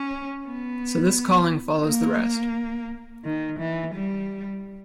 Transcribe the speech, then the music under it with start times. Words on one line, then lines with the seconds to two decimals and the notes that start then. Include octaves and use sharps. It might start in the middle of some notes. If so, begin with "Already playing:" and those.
So this calling follows the rest.
Already playing: C#4
0.47 B3
1.85 A#3
3.25 D#3
3.60 E3
3.95 G3